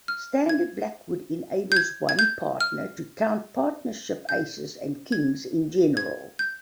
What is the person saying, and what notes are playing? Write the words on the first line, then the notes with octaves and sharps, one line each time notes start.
Standard Blackwood enables one partner to count partnership aces and kings in general.
F6
G#6
G6
G#6
G#6
G6
F6
G6
G#6
G#6
G6